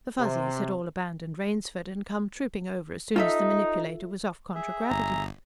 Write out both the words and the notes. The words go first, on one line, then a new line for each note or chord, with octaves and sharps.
The Fuzzies had all abandoned Rainsford and come trooping over as soon as the manipulator was off contragravity.
C3
D#4 F4 A4 E5
G#4 E5
G1 A#5